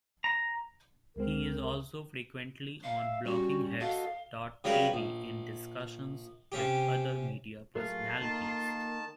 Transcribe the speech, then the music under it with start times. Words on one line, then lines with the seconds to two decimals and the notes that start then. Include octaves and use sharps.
He is also frequently on BloggingHeads dot TV in discussions with other media personalities.
0.24 A#5
1.16 C#2 G#3 C4 A#4
2.83 F5
2.97 E5
3.25 G3 C#4 F#4
3.81 F#4 A4 D#5 F5
4.64 C#3 F#3 G3 A#4 B4
4.93 A#1
6.52 C3 C#4 G4
7.75 F#3 A3 F4 G#4 A#4 F5
8.21 D#3 A#3 A5